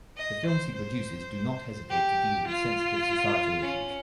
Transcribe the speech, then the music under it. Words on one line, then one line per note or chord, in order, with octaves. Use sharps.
The films he produces do not hesitate to deal with sensitive societal issues.
D#5
C5
C5
G4
F4
C#4